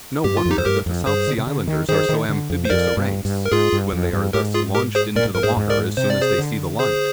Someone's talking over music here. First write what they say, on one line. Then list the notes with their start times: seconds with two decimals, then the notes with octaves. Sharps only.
No wonder that the South Sea Islanders are so amphibious a race, when they are thus launched into the water as soon as they see the light.
0.24 G2 G4
0.37 F4
0.46 F2
0.51 D#4 G4
0.58 F2 C5
0.66 G2 G4 A#4
0.86 F2
1.06 G2 G#4 C5
1.27 D3
1.38 C3
1.47 D3
1.68 D#3
1.88 D#3 G#4 C5
2.09 D#3
2.29 D3
2.50 F2
2.65 C5
2.70 F2 A#4 D5
2.97 G2
3.25 G2
3.46 A#4
3.52 G#2 F4 G#4
3.72 G2
3.93 F2
4.13 G2
4.33 G#2 G4 A#4
4.54 F4 G#4
4.75 G4 A#4
4.95 G#4 C5
5.16 A#2 A#4 D5
5.25 G#2
5.35 G2 A#4
5.43 G#2 G#4 C5
5.57 G#2
5.70 A#4 D5
5.97 C3 C5
6.10 D5
6.22 G#4 C5
6.38 D3
6.79 G#4 C5